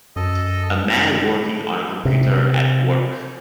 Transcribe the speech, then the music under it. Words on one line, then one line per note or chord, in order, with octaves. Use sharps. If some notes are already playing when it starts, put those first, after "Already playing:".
A man working on a computer at work.
F#2 A4 D#5
C3